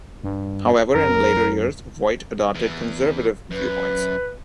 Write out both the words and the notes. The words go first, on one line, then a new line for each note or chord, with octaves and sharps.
However, in later years, Voight adopted conservative viewpoints.
G2
F#2 A#4
E2 E3
F#2 B4